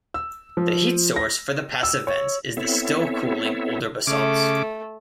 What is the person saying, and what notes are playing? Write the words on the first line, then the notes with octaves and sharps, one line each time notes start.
The heat source for the passive vents is the still-cooling older basalts.
E6
F3
A#6
E6
C#5
B3 C4 E4 A4 C#5 E5
C#3 A3 D6